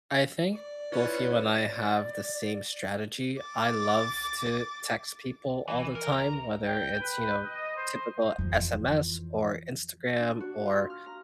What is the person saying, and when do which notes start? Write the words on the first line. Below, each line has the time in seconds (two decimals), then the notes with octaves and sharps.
I think both you and I have the same strategy. I love to text people all the time, whether it's, you know, typical SMS or Instagram or
0.52 D5
0.92 C#4 E4 F4 B4
1.58 D5
3.42 D6 A6
5.68 E3
5.95 A#4
6.12 A#5
6.64 G5
7.00 B4
7.45 D#5
7.76 C5
8.38 F2 E3
10.19 D4
10.40 F#4
10.66 F4
10.90 F6
11.06 A#5